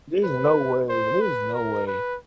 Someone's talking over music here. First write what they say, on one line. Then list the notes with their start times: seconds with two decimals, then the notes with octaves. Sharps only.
There's no way, there's no way.
0.24 B4
0.89 C5
1.22 B4
1.54 A#4
1.87 B4